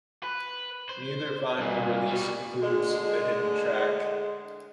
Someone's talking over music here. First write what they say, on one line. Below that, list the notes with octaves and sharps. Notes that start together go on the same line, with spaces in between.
Neither vinyl release includes the hidden track.
B4
C5
C2 A#2
B2 G3
D3 G#3